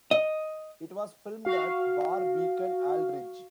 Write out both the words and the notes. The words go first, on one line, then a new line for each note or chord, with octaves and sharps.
It was filmed at Barr Beacon, Aldridge.
D#5
F#4 F5